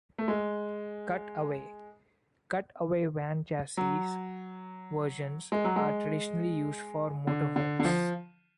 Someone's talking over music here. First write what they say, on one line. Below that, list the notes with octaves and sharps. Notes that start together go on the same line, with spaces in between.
Cut-Away: Cutaway van chassis versions are traditionally used for motor homes.
A3
G#3
F#3
G#3
F#3
G#3
D3
D3
D3
F3